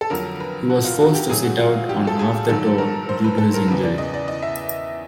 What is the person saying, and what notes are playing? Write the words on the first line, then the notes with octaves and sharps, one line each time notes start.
He was forced to sit out on half the tour due to his injury.
A4
F2 D3 F#3 A#4
B4
F#4
F4
F#4
G4
A2 F#3 G#4
F#4
F4
G4
A4
G#4
G#2 D#3 F#3 A4
A#4
C5
B4
A4
A#4
E2 C#3 E3 B4
D5
D#5
D5
D#5
E5